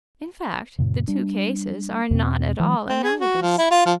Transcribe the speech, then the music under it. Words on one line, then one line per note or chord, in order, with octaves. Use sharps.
In fact, the two cases are not at all analogous.
F#2 A#2 C#3
G3 D4
E2 B2 C4
E3 F#3 G#3
C4
G#4
F#4
F3
E4
F4
F3